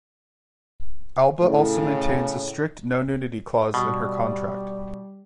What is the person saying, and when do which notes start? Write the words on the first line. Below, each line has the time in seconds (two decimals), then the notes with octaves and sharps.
Alba also maintains a strict no-nudity clause in her contract.
1.42 A2 C#3
3.74 B2 G3